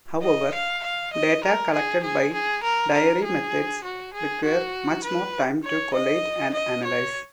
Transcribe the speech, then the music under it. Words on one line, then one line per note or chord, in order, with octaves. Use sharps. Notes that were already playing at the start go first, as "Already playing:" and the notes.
However, data collected by diary methods requires much more time to collate and analyse.
D#5
F5
F5
D#5
A#4
G#4
G#4
G#4
A#4
A#4
G#4
F#4
G#4
F#4
B4
C#5
D#5
D#5
C#5